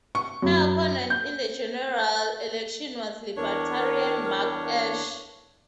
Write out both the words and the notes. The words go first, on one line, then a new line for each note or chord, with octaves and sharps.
Her opponent in the General Election was Libertarian Mark Ash.
C#6
F#2
G6
E2 D4 A#4 C#5